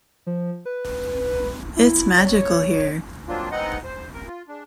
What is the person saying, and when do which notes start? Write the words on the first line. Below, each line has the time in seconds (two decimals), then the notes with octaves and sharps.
It's magical here...
0.26 F3
0.66 B4
1.77 E4
2.18 C#5
3.28 F3 F#3 A#3 C4 D4 F4
3.51 G#3 B3 C4 D#4 D#5 F#5
3.84 C5
4.13 A#4
4.27 F4
4.48 G#3 D4